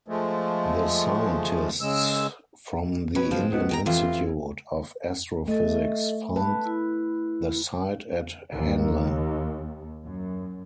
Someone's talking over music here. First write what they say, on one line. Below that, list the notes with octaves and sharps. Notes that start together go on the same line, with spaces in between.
The scientists from the Indian Institute of Astrophysics found the site at Hanle.
F3 G#3 A3
C#3 G#3 E6
B2 C#4 B4
F3 G#3 C4
C#2 B2 B3
G5 G#5 A#5
F1 E3 C4 F4
A3 A4 D#5
B4 A5
E4
D#2
F#2